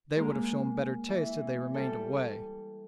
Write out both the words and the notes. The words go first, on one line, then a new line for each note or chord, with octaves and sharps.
"They would have shown better taste had they remained away."
G#3 A#3
E3
G3 A4